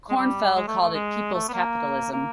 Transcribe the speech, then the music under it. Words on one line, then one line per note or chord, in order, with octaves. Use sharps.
Cornfeld called it people's capitalism.
G#3
G3
G#3
A3
A3
G#3
A3
B3
A#3
A#3